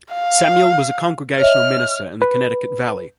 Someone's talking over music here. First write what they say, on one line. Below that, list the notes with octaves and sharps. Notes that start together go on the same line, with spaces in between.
Samuel was a Congregational minister in the Connecticut Valley.
F5
C#5 D#5 E5 F6
B4